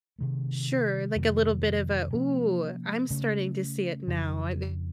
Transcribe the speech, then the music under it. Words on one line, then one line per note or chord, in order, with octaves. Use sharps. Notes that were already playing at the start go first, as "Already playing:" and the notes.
Sure, like a little bit of a, "Ooh, I'm starting to see it now, I think
C3 D#3 A3
F2 C3 D#3 A#3
C3 F3 A#3 C#4
C#3 A3 C#4
F2 C#3 F3